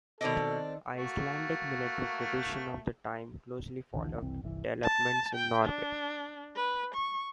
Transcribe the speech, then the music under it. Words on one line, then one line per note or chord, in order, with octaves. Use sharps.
Icelandic military tradition of the time closely followed developments in Norway.
B2 D#3 A3 C4 D4 A4 D#5 D6
A3 A#3 F#4
A#1 D#2 D3 E3
F#1 C2 E3 C4
G1 C2 A#2 E3
A5
G5
D4
B4
C#6